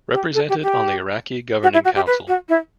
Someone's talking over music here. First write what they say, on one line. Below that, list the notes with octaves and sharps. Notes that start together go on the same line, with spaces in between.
Represented on the Iraqi Governing Council.
G4
A4
G4
G4
F#4
E4
F#4
G4
B4
F#4
E4